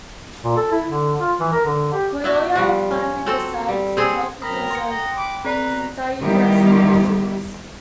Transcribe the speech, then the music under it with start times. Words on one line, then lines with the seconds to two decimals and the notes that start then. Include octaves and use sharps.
Kyoya finally decides to help because of Sayaka's pleas.
0.44 A#2
0.56 A4
0.72 E4
0.87 D3
1.20 F4
1.40 E3
1.53 A#4
1.66 D3
1.93 G4
2.24 B3 E4 F#4
2.55 F3 G3
2.91 C#4
3.26 C4 F#4 A4
3.68 G3
3.97 C4 G#4 A4
4.42 F#2 C4 A#4 B5 D#6 A#6
4.71 F#5 G5 A#5 C6 A#6 C#7
4.90 D#5
5.17 B5 D6
5.45 C4 B4 D5 A#5
5.63 B2
6.21 D#3 G3 B3 E4 G4